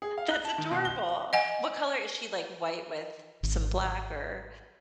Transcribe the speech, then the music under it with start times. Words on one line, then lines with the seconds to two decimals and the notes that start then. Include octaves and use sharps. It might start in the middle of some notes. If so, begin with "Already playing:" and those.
that's adorable. What color is she, like, white with some black, or
0.02 G#4
0.18 F5
0.31 F#6
0.45 A5
0.58 D#3
0.71 B2
0.85 G7
1.33 D#5 F#5 G#5
3.43 G#1